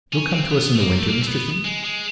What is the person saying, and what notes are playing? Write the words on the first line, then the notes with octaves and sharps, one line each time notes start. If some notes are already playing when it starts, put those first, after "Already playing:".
"You'll come to us in the winter, Mr. Finn?"
C#4
C4
B3
A3
A#3
A3
A#3
C4
B3
G#3
G#3